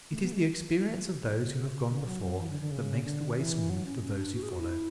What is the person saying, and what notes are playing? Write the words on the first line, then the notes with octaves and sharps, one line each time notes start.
It is the experience of those who have gone before that makes the way smooth for those who follow.
A3
B3
G#3
C#3
C#3
D3
F#3
F#3
E3
D3
D3
C#3
D3
E3
F#3
C#4
C#4
D4
F#4
G#4
F#4
E4